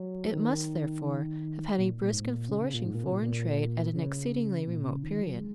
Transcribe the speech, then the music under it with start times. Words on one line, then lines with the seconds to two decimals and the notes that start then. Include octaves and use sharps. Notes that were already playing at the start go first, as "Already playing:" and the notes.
It must, therefore, have had a brisk and flourishing foreign trade at an exceedingly remote period.
Already playing: F#3
0.32 D#3
1.78 A#2
2.02 A#2
2.13 G#2
2.24 A#2
2.49 C#3
2.61 C#3
2.74 A#2
2.85 G#2
2.95 A#2
3.04 C#3
3.12 A#2
3.22 A#2
3.95 C#3
4.67 A#2
4.85 C#3
5.03 D#3
5.21 F#3
5.39 G#3